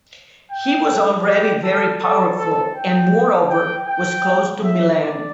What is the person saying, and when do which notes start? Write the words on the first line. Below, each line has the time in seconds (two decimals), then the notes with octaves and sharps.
He was already very powerful, and moreover was close to Milan.
0.51 G5
1.26 G4
1.63 A4
2.00 A4
2.38 A4
2.75 G5
3.50 G5
3.87 G5
4.62 E5
5.00 D5